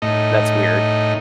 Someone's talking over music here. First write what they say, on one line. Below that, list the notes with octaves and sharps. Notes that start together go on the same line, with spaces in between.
That's weird.
A2 D#4